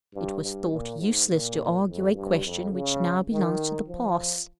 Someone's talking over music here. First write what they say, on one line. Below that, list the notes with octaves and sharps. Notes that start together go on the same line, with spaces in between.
It was thought useless to argue a question which now belongs to the past.
G2
G2
A#2
G#2
A#2
F2
G2
F2
C#3
D#3
F3